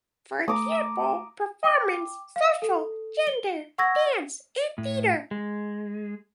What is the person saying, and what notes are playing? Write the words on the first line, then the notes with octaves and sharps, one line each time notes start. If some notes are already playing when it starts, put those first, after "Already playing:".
For example: performance, social, gender, dance, and theater.
A3 A#5 D6 D#6
G5 D6
F5
A4
G7
F#5 C#6 E6 G#6 A#6
A2
G#3